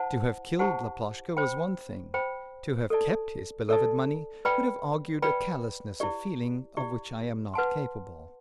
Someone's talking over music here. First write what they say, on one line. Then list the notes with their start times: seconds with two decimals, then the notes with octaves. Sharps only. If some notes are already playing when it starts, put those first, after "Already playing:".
To have killed Laploshka was one thing; to have kept his beloved money would have argued a callousness of feeling of which I am not capable.
Already playing: E4 C5 F#5 A5
0.59 E4 G4 C5 F#5 A5
1.37 C5 G5 B5
2.14 C5 G5 B5
2.90 A4 D5 A5
3.69 A4 D5 A5
4.45 B4 D5 G5 B5
5.22 B4 D5 G5 B5
6.00 E4 G4 D5
6.77 E4 G4 D5
7.54 B4 F#5 A5 C6